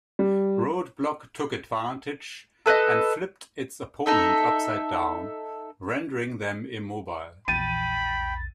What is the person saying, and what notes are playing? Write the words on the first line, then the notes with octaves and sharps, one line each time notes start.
Roadblock took advantage and flipped its opponent upside-down, rendering them immobile.
G3
A4 B4 C5 D#5
D#4 A4 E5
A#1 E2 G5 B5 A6 D#7